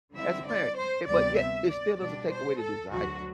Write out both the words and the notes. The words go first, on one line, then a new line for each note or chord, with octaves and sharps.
as a parent, eh, but yet it still doesn't take away the desire,
D3 G3 C4 E4 E5
D5
C5
D2 C3 G3 B3 D5
E5
D5
B2 G3 D4 D5
C5
A4
D2 D3 F#3 F#4